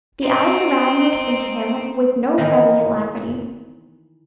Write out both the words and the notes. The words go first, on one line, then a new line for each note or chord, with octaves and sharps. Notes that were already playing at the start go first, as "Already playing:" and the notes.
The eyes around looked into him with no friendly alacrity.
C4 D#4
D#3 E3 E4 A#4